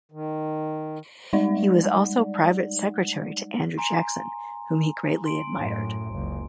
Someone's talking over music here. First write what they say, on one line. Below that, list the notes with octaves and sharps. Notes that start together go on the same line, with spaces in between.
He was also private secretary to Andrew Jackson, whom he greatly admired.
D#3
G3 G#3 D#4 D5 F#5
G#5 A#5 C6
C6 D7
F#2 A2
F#1 C#2